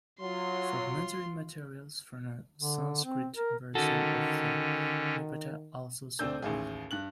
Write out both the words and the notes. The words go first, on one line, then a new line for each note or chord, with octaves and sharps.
Fragmentary materials from a Sanskrit version of the Nipata also survive.
F#3 F4 C6
D3
C4
A#4
D3 D#3 C#4 F#4 A4
D2 C4 D4 E6 G6
A1 D#2 G#4
G2 F#6 F#7